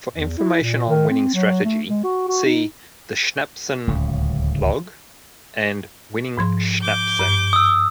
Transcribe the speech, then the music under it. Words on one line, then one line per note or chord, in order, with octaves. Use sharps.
For information on winning strategy, see "The Schnapsen Log" and "Winning Schnapsen".
E2
E4
A#2
D#3
C4
F#3
A3
G#3
F#4
F#4
D#4
D1 C#2 C#3
G#2 F3 C6
D6 G6
G2
D#6 E6